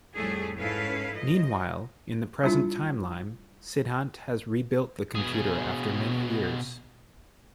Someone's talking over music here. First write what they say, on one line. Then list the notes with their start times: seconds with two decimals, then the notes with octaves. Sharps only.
Meanwhile, in the present timeline, Siddhant has rebuilt the computer after many years.
0.15 F2 A2 G3 A3 G#4
0.58 G#2 C#4 E4 A4 B4 F5
1.13 F3 D#5
2.43 G3 D4 E4 F4
5.15 B2 G#4